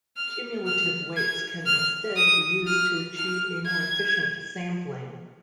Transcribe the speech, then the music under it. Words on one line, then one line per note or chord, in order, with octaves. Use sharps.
Cumulative weights can instead be used to achieve a more efficient sampling.
F6
F6
G#6
F6
D#6
F6
F6
G#6